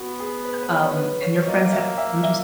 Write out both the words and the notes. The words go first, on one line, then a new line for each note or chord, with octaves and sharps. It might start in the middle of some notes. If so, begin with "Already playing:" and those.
um, and your friends have to unders
Already playing: B3 F#4
G#4
B4
B4
C#5
B4
C#5
C#5
A#3 D#5
E5
E5
E5